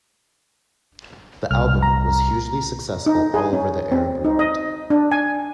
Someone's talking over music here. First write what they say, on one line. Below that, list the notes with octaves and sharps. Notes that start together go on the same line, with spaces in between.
The album was hugely successful all over the Arab world.
C2 F6
A#5
D#4
G#4
C#4
C4
D#4
D#5
D4
G#5